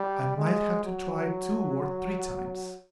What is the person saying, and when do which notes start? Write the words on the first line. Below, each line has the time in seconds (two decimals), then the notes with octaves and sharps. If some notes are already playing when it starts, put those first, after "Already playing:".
I might have to try two or three times.
Already playing: G3
0.37 G#3
0.84 F#3